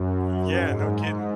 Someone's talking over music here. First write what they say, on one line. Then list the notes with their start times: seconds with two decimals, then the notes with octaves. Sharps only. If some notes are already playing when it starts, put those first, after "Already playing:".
Yeah, no kidding.
Already playing: F#2
0.18 F#2
0.54 G#2